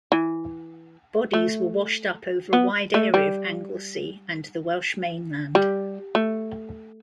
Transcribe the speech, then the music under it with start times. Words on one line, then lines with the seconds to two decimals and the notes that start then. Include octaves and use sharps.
Bodies were washed up over a wide area of Anglesey and the Welsh mainland.
0.12 E3
1.33 A3
2.53 B3
2.94 A3
3.14 G3
5.55 G3
6.15 A3